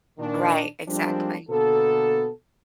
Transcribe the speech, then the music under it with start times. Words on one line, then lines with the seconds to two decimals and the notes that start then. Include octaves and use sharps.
Right, exactly.
0.19 A#2 D#3 D4
0.88 F3 G3 G#3 A#3 C4 D4
1.49 B2 D3 A#3 B3 A4